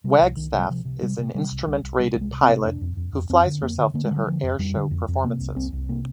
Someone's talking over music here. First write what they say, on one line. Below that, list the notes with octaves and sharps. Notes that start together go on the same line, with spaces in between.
Wagstaff is an instrument-rated pilot who flies herself to her airshow performances.
C3 G3
C2
C2 D#3
C3 G3
C3 F3
C3
C3 G3
C3
C3 G3
C2
C2 G3
C2
C3 G3
C2 G3
G#3
C3
C4
C3
F2 D4
F2
F2
F2
F2 C4
D3
F2 A#3
D3
D3 A#3
G#3
D3
G3
D3 F3
F2
F2 G3
D3
F2
F2
C3 A#3
C2
C2 C4
C2
C3 A#3